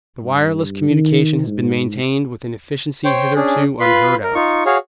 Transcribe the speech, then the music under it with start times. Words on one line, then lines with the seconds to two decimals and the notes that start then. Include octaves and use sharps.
The wireless communication has been maintained with an efficiency hitherto unheard of.
0.23 G2
0.90 D#3
1.47 G#2
3.05 C5 C#5 G5
3.36 C#4 D4 G#4
3.80 F4 B4 B5 C6
4.23 A#4
4.35 D#4 F4 C#6
4.66 F#4 G#4 C#5 F5